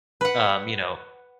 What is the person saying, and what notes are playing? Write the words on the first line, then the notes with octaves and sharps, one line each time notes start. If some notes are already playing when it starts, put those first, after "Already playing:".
Um, you know.
B4 F#5